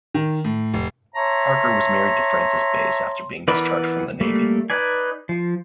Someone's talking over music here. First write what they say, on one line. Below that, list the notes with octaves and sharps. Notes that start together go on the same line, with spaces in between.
Parker was married to Frances Bass after being discharged from the Navy.
D#3
A2
F1
C#5 E5 A5 A#5 C6
E3 B3 A#4 D5 B5
G3 A3 A#3
D#4 B4 D5 G#5
F3